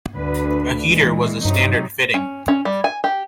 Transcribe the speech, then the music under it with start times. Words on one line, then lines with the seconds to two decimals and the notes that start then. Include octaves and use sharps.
A heater was a standard fitting.
0.16 D2 D4 B4
0.87 A#2 E3 G#3
1.45 G2 C3 F#3 D#4
2.14 C#4
2.48 C#4
2.65 G3
2.84 G#5
3.04 G4